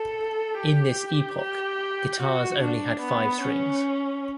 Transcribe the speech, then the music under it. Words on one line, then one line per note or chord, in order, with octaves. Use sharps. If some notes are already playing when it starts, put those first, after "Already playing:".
In this epoch, guitars only had five strings.
Already playing: A4
G4
G4
F#4
D4
B3
C#4